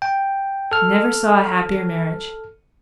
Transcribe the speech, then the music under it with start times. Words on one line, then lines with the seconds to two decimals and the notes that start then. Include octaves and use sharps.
"Never saw a happier marriage."
0.02 G5
0.72 A4 F6